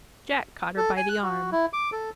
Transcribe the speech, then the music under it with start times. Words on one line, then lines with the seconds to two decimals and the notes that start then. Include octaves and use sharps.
Jack caught her by the arm.
0.77 A4
0.97 G#5
1.09 F#6
1.23 F#4
1.52 E4
1.73 D6
1.92 A4